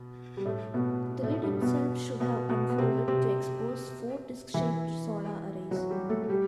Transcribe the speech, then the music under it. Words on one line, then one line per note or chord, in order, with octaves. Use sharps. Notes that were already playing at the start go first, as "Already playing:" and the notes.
The lid itself should have unfolded to expose four disk-shaped solar arrays.
Already playing: B2 B3
G3
A2 A3
B2 B3
A2 A3
G2 G3
B2 B3
B2 B3
B2 B3
B3
C3 C4
C3 C4
E3 E4
F#3 F#4
G3 G4
A3 A4
A4
G3 G4